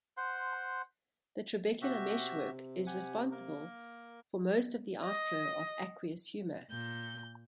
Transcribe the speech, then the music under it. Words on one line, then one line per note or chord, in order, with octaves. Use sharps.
The trabecular meshwork is responsible for most of the outflow of aqueous humor.
C5 F#5 C6
C3 F#4 G4 E5
G4 F#5 G#5
A#3 A#4
D#5
A#2 G6